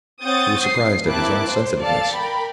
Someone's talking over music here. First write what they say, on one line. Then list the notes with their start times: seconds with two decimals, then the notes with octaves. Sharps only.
He was surprised at his own sensitiveness.
0.22 C4 C#5 F#5 D#6 G6 A6
0.66 C7
1.06 A#3 C4 E4 A5 D6 F#6
1.50 C5
1.80 A4 D5 F5 A5 A6
2.14 A#4 G5 B5